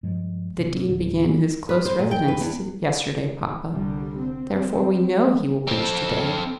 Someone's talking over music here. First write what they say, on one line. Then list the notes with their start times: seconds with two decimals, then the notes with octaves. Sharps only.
"The dean began his close residence yesterday, papa. Therefore we know he will preach to-day."
0.03 G2 F3 G#3
0.60 C3
0.87 D2 A2 D3 G3
1.69 B4
1.85 C5
1.99 A#2
2.11 G5
2.28 B4
2.41 E2
3.70 C2 D3 G3
4.18 C4
5.67 C4 A4